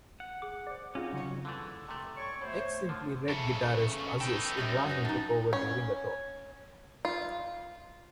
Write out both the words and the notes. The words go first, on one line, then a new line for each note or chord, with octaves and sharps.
Ex-Simply Red guitarist Aziz Ibrahim took over during the tour.
F#5
G#4 D6
C5 D5 D6
C4 C#4 D#4 F4 F#4 G#4 F5
C#3 F#3 C#6
D3 E3 A3
C3 A3
C#5 D5 C#6
B2 A3 C5 C#5
D3 F3
C#3 A3 C#6
B3 D#4 A4 G5
F#2 G3 G4 D#5
B4 D#5
A2 D#4 A5
C#4
F4